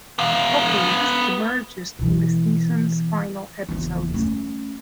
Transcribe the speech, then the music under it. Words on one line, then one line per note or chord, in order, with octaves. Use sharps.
Apocalypse emerges in the season's final episodes.
B3 F5
B2 E3
F#1 E2
A3 C#4